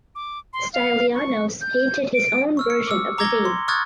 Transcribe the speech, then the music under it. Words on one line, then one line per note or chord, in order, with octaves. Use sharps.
Stylianos painted his own version of the theme.
D6
C6
F5
C#6
G6
D7
C#6 E6 F6
C#7
D6 E6
A#5 D6 E6 G#6 A#6 G7
C6
C#6 D#6 F6 F#6 G#6 A6